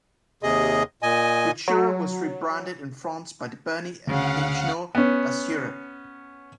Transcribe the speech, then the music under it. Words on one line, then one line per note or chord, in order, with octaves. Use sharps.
Futura was rebranded in France by Deberny and Peignot as "Europe".
D#2 C3 G#4 D#5
A#2 D#5 G#5
F#3
D2 C#3 F5 F#5
B3 C#4